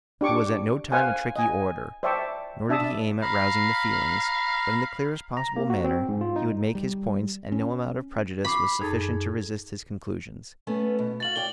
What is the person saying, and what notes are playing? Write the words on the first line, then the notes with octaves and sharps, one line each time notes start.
He was at no time a tricky orator, nor did he aim at rousing the feelings, but in the clearest possible manner he would make his points and no amount of prejudice was sufficient to resist his conclusions.
D4 G4 C#6 D6
C5 F5 F#5 G#5
D#5 G#5
C5 D5 E5 G5 A5 C#6
D4 E5 A5 D#6
F5 A#5 B5
A#5
A#3
F#4
C4
G#2
F4
D#4
G3
C#4
B5 C#6 D6 C7
F#2 D#4 G#4 A4 G#6
A3 B3 C#4
B2
F#4 F5 A6 F#7
C#5 D5 G5 G7